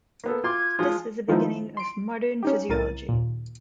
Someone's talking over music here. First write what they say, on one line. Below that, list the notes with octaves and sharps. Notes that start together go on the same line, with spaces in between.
This was the beginning of modern physiology.
A#3 B3 A4
F4 C6 D6 G#6
F3 G#3 F4 D#6
D#3 F3 G#3 B3 D#4 E4
C6 D7
C#4 D#4 G4
C2 A2 C#3 A#4 A6 D#7
D#2 A#2